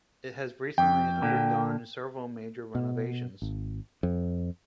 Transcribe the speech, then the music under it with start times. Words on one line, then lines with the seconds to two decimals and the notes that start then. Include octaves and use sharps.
It has recently undergone several major renovations.
0.78 F2 G5
1.22 A#2 D3
2.75 B2
3.42 G#1
4.03 F2